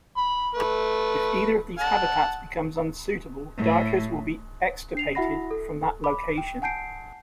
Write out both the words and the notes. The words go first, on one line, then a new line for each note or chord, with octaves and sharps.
If either of these habitats becomes unsuitable, darters will be extirpated from that location.
B5
A3 B4
F#5 A5
A2
D4 C7 F7
E4 F#4 E5 F#5 B5 A#6
A4
B5 D6
G5
F#5 G#5 A5 G6 C7 D7